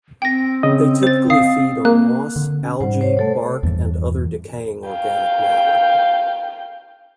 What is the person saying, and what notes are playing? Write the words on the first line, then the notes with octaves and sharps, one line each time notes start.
They typically feed on moss, algae, bark and other decaying organic matter.
C4 G5 A#6
C#3 D#5
C5 A6
F5 D#6 C7
A#3 F#6
D3
C#4
G#2 G3 C5 F#5
C5 C#5
C3 A3 A4 C#5
E2 G2 E3
F5 G5